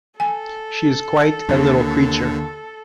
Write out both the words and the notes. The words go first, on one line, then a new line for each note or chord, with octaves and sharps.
She is quite a little creature.
A4 G#5
D#2 D3